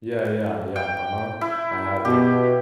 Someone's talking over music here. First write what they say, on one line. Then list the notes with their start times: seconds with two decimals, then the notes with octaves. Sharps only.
Yeah, yeah, yeah, uh-huh. I have it
0.76 G5
1.41 E4
2.05 B2 G4